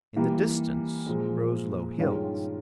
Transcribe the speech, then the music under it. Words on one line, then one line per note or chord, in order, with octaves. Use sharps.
In the distance rose low hills.
E3 G3 A#3
A#2 F3 G#3
G2 D#3 G#3 C#4 F4